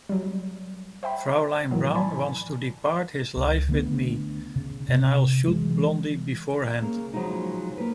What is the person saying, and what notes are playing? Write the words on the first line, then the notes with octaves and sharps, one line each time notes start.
Fraulein Braun wants to depart this life with me, and I'll shoot Blondi beforehand.
F#3 G3
C5 E5 G5 B5
A2 D#3 E3 F#3 B3
D5 G#5 A5 B5
C#2
D3 A3 B3
C#3
C3
E3 F#3 G#3
C#3 A#3
C#3 F3 F#3 G#3 D#4
A#3 B4